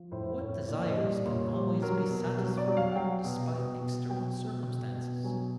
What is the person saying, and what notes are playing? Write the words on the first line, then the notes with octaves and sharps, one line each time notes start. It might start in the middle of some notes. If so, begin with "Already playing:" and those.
But what desires can always be satisfied despite external circumstances?
Already playing: F3
A2 C5
A2 C#5
A#2 D5
D#5
G3
D5
A#2 C#5
C#5
G3
F#3 A#4
B2
F#3
D5
F#3
F5
F#5
F#3 G5
B2
B2
B2
F#3 G5
B2
B2
B2
F#3 G#5